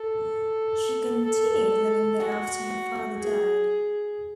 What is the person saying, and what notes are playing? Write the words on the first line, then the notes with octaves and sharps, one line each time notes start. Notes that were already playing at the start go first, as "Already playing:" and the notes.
She continued living there after her father died.
Already playing: A4
A4
F#4
G#4